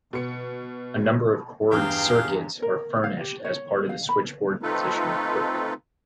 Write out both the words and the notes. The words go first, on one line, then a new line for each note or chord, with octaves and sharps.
A number of cord circuits are furnished as part of the switchboard position equipment.
B2 C#7
E2 G2 G#4 F5 G5
A#4
F5
G4
C#5
F5
B5
A3 C4 D#4 F4 A4 B4